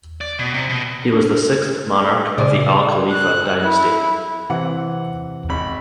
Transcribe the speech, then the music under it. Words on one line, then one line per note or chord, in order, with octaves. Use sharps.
He was the sixth monarch of the Al Khalifa dynasty.
D5
B2
C3
B2
D4
A#2 C#3 G#4 D5
F#6
E4
C3 E3 F#5
G#1 B5